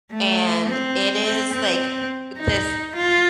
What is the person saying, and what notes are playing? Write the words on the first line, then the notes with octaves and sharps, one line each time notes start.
And it is like, this
A3
C4
C4
C4
D#4
F4